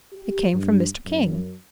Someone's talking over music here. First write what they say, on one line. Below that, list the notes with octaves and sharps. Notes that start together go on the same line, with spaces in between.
It came from Mr. King.
G4
G2
F#2